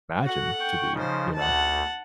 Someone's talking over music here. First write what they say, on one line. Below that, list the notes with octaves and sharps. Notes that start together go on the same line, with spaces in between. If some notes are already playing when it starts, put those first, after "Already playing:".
imagine to be, you know?
F#4 A4 F#5
G5 C#6
C#3 F3 D#4 C5
D2 F#5 A5